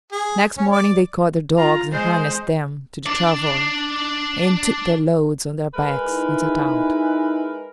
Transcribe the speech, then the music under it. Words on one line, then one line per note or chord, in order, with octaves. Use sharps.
Next morning they caught their dogs and harnessed them to the travois and took their loads on their backs and set out.
G#4
C#4
D5
F4 A#5
G#3 C5
D4 D5
G#3 A#4 B4
D#4 E4 G#4